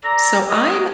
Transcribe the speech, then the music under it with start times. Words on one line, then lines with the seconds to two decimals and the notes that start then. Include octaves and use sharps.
So, I'm
0.04 A4 D5 A#5
0.49 G#3 C#4 E4 A#4 D#5